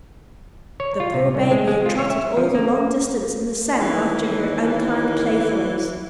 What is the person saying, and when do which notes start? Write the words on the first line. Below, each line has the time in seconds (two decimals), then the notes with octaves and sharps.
The poor baby had trotted all the long distance in the sun after her unkind playfellows.
0.80 C#5
1.00 F4
1.14 C3
1.35 C2
1.51 G#3
1.68 G#3
1.86 F4
1.99 C#5
2.10 E5
2.37 F3
2.55 A#3
3.78 D#2 E3